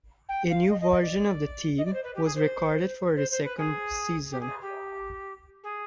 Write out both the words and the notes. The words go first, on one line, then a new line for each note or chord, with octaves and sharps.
A new version of the theme was recorded for the second season.
G5
F5
D#5
D#5
D#5
D5
D#5
D5
C5
B4
G4
G#4
C5
C5
C5
B4
G#4
G4
G#4
G4
G#4